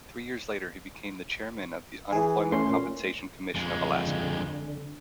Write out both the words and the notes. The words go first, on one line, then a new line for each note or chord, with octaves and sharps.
Three years later he became the chairman of the Unemployment Compensation Commission of Alaska.
E3 G#4
A3 C#4 C6
A#2
F2 G#3
D3